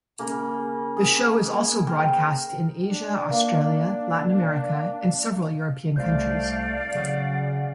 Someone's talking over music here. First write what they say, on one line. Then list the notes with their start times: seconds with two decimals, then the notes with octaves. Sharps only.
The show is also broadcast in Asia, Australia, Latin America, and several European countries.
0.19 C#3 A#3
0.97 G#4
1.45 A#3
1.86 A#4 C5 G5
2.90 D4
3.30 A#3
5.96 C2 A3 D5 F5 G6
6.95 C#3 F#3 F#5